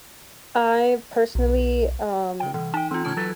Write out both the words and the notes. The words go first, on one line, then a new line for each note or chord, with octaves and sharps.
I personally, um
B1
C#3 G5
C2 A#2 E3
D#4 G5 A5
E3 C4 F4
A2 C#3 C#4 A5 G#6
F#3 A4 B4